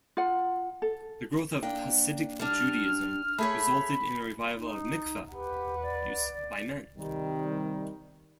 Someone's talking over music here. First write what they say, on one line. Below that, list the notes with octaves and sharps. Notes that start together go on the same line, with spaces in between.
The growth of Hasidic Judaism resulted in a revival of mikveh use by men.
F4 F#5
A4
A#3 D4 G5
G3 D4 F6
A3 G#4 C#5 B5
D#4
G4 B4 F#5
D5
C3 D#3 G3